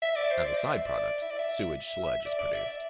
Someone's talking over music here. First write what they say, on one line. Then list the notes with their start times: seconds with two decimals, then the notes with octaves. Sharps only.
As a side product, sewage sludge is produced.
0.02 E5
0.16 D5
0.31 C5
0.44 D5
0.58 E5
0.86 D5
1.22 E5
1.30 D5
1.39 E5
2.25 D5
2.39 D5
2.54 E5